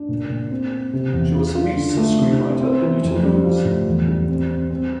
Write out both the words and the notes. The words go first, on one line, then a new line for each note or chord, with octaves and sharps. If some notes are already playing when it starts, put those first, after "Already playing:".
She was the niece of screenwriter Anita Loos.
Already playing: D4
A#2
A#2
C4
C4
C3
E2
F4
F4
D3
A3
C3
E4
C4
E3
F2
G3
F3
A2
E2
G3
C4
C4
C4